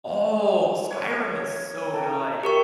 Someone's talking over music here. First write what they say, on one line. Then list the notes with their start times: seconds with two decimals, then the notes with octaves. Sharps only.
Oh, Skyrim is so good.
0.91 C#5
1.93 A4 G5 A#5
2.43 G4 A#4 C#6